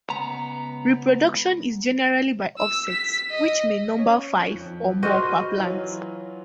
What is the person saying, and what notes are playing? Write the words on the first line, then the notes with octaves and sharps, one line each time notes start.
Reproduction is generally by offsets, which may number five or more per plant.
C#2 B3 A#5
E6
B6
D#5
C#4
F2
F#4 C5 D#5 B5 F6 D#7
E3 F#3 F4